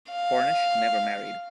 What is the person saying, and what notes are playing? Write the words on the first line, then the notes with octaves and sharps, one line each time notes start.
Cornish never married.
F5